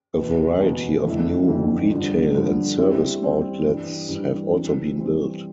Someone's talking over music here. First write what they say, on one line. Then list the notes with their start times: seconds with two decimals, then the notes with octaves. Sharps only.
A variety of new retail and service outlets have also been built.
0.17 E2 B2 B3
0.60 E2 B2 B3
1.04 F2 D3 A3 E4
1.48 F2 D3 A3 E4
1.91 G2 D3 F3
2.35 G2 D3 F3
2.78 G3 C4 E4 G4
3.22 G3 C4 E4 G4
3.65 G2 E3 G3
4.09 G2 E3 G3
4.53 E3 G3 C4
4.96 E3 G3 C4